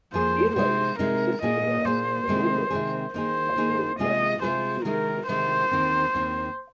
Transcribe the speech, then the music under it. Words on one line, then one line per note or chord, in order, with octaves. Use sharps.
Airlines consistently ask for low noise, and then maximum fuel efficiency.
F2 F3 A#3 G#4 C5
C3 G#3 C4 D#4 C5
C3 G#3 C4 D#4 A#4
A#2 A#3 G#4 D#5
A#2 A#3 G#4 C5
C3 D#3 G#3 C4 G#4
C3 D#3 G#3 C4 G#4
D#3 A#3 D#4 G#4 C5
D#3 A#3 D#4 G#4
C3 G#3 F4 G#4 D#5
C3 G#3 F4 G#4 C5
C3 D#3 G#3 D#4 A#4
C3 D#3 G#3 D#4 C5
D#2 D#3 C4
D#2 D#3 C4